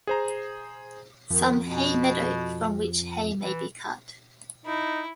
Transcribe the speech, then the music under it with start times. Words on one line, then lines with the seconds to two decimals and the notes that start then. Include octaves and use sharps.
Some Hay meadow from which Hay may be cut.
0.07 G#4 C5 A#5
1.30 F2 D#3
1.65 B2
3.40 E3
4.66 D#4 E4